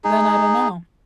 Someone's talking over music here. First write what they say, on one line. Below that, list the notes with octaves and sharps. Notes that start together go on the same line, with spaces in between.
Then I don't know,
D#4 G#4